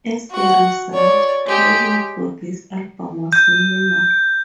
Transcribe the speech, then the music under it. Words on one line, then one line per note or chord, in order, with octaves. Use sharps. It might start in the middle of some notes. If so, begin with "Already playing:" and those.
As a result, touring for this album was minimal.
F#4 F#5
C#5 D5
G#3 G4
G6